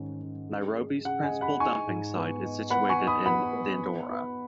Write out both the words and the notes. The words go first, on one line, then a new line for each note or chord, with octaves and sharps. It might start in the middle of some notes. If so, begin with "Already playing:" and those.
Nairobi's principal dumping site is situated in Dandora.
Already playing: G#2 D#3 C#4
C#4
G#3
G#3
C#3 F#5
D#5 G#5
G#3
F#5 B5
D#4 G#5 C#6
G#2
B3
D#4
B3 F#5 B5
G#5 C#6
D#4
B5 D#6
B3 F#5 B5
B3
D#4
B3